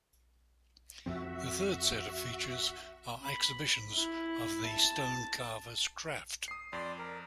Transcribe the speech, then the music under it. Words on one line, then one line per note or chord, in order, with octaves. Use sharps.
The third set of features are exhibitions of the stone carver's craft.
F2 F3 C4 F#4 E5
B5
E4
A5
D#6 C7
F2 D5 C6
A#4